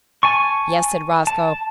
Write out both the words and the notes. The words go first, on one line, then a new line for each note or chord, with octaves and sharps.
"Yes," said Roscoe.
G#5 A5 C#6
A5